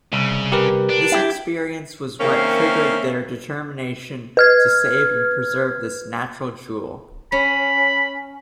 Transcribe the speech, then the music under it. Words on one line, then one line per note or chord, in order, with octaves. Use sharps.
This experience was what triggered their determination to save and preserve this "natural jewel".
C2 C#3
G4 A#4 B4
D4
E4 G4
D#3 A#3 C4 C#4 E5 F5
B4 F6 G#6
C#4 B5